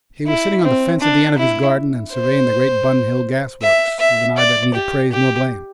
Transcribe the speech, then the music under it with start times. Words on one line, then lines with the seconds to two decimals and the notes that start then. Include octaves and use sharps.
He was sitting on the fence at the end of his garden and surveying the great Bun Hill gas-works with an eye that neither praised nor blamed.
0.27 E4
0.64 C4
1.01 D4
1.38 E4
2.13 C5
3.62 E5
4.00 E5
4.37 D5
4.74 G4
5.12 G4